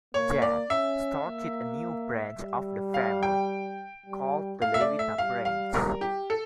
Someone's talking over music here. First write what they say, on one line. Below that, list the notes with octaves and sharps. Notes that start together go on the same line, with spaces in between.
Jan started a new branch of the family, called the "Leliwita branch".
A#3 C#5
D5
C#4 E5
A#3
G3
F5
G5
G3
A3 F5
E5
D5
E5
G3 F5
F5
A#4
G4
A4